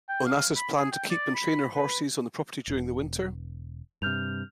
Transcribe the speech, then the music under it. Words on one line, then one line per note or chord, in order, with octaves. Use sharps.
Onassis planned to keep and train her horses on the property during the winter.
G5
F5
B5
G#4
G5
D5
B5
B4
E1
G2 C3 F6 G6 F7